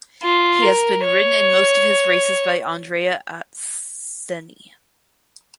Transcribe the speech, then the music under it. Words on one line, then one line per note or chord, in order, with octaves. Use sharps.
He has been ridden in most of his races by Andrea Atzeni.
F4
A#4
C#5